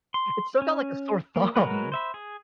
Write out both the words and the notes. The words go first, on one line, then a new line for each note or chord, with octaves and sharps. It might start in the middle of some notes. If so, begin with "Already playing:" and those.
It stuck out like a sore thumb.
C6
C#4
A#3
F#3 G#3 F#4 A#4 B4
C5 E5 B5
G#4